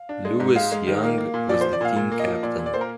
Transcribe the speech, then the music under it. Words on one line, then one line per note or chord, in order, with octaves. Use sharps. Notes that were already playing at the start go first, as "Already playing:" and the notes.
Louis Young was the team captain.
Already playing: F5
D4
G#3
G#2
G#3 F5
G#3
D#3
A#3
A#3
A#2
F3 D5
F3 C5
D5
A#2 F5
A#2
A#3
D#5
F3
A#2 D5
A#2
D5
A#3 C5
A#4